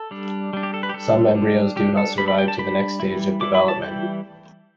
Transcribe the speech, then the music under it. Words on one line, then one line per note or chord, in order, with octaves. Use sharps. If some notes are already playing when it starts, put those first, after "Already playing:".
Some embryos do not survive to the next stage of development.
Already playing: A4
G3 D4
G3 D4
G4
A4
B4
G4
G3 D4 A4
G3 D4
G3 D4 G4
A4
G3 D4 B5
B5
G5
A5
G3 D4 B5
E3 G3 E4
E3 G3 E4 D6
B5
A5
E3 G3 E4 G5